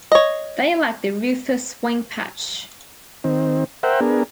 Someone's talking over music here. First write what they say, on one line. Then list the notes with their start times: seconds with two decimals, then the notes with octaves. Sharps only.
They lack the rufous wing patch.
0.12 C#5 D#5
3.24 D#3 C4
3.83 A#4 C5 E5 F#5 G5
4.01 B3 D4 G#4 A#4